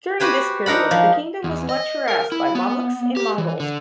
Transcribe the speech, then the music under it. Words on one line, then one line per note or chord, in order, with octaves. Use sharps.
During this period, the kingdom was much harassed by Mamluks and Mongols.
F#4 G4 B4 C5 G#5
D4 D#4 A#4 F#5 B5
F3
E2
D#5
A#4
E4
B3
G4
E3
D3